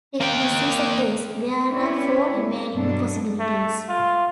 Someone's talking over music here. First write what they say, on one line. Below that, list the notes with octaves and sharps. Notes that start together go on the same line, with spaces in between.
If this is the case, there are four remaining possibilities.
A#3 G5
C#4 E4 G4 B4 C#5 D5
G#3
G2 B2 F#3 D4 A4
A3
F4